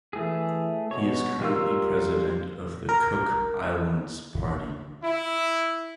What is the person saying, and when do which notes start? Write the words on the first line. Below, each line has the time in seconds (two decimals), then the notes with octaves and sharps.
He is currently president of the Cook Islands Party.
0.13 E3 A3 G#4
0.91 B2 C#5
1.41 G3 F4 A#4 E6
2.89 A#4
5.03 E4